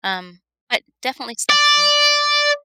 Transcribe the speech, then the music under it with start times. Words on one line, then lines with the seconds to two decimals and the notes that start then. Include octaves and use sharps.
um, but definitely something.
1.50 D5